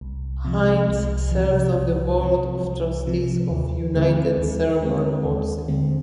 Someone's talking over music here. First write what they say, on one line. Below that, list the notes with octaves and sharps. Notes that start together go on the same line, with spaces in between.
Hines serves on the Board of Trustees of United Cerebral Palsy.
C2
C3 F3
C2
C3 F3
C2
C3 F3
C2
C3 F3
D#2
D3 G#3 C4
D#2
D3 G#3 C4
D#2
D3 G#3 C4